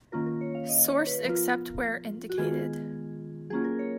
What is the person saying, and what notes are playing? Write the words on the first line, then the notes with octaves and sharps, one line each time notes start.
Source except where indicated.
D#3 A#3 C#4 F4 A#4
A#4
C#5
F5
D#5
C#5
B4
F3 B3 F4 A#4
F#4
D#3 G#3 B3 F4 G#4
F#3 A#3 C#4 F4 G#4
A#4
C#5